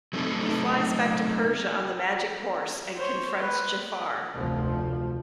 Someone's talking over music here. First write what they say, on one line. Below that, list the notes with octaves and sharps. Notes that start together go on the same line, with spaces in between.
He flies back to Persia on the magic horse and confronts Jaffar.
F#3 A3 C4 D#4 A4
C5 C#5
B4
F1 D2 F3